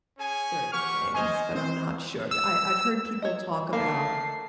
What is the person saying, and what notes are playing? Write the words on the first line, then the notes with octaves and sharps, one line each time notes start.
certain things, but I'm not sure. But I I've heard people talk about
C#4 G#4 G#5
G4 F#5 C#6 F6
C5 D#5 G#5 F6
C4 C5
E6
C#5 D#5
A3 A#3 F5 A5 C7